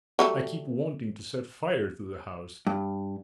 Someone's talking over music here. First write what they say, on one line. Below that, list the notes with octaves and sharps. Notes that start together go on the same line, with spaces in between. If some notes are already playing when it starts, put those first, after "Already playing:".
I keep wanting to set fire to the house.
F#3 G3 A3
G2